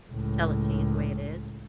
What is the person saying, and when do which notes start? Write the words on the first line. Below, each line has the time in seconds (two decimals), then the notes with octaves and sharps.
tell it to you the way it is.
0.11 C#2 A2